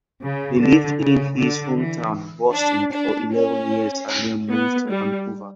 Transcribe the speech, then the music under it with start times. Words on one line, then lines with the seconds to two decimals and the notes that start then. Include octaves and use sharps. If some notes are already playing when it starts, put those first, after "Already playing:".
They lived in his hometown, Boston, for eleven years and then moved to Vancouver.
0.22 C#3
0.60 D3
1.00 C#3
1.38 D3
1.78 E3
2.54 D4
2.94 D4
3.33 C#4
4.50 B3
4.88 G3